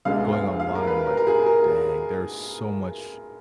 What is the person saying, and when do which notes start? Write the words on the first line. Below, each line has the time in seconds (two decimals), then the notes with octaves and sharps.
going online, I'm like, "Dang there's so much
0.05 D2 D3 G#3 B3 F5
0.32 F5
0.60 F5
0.75 A#4
0.87 B4
1.06 A#4
1.17 A#4
1.27 G#4
1.46 A#4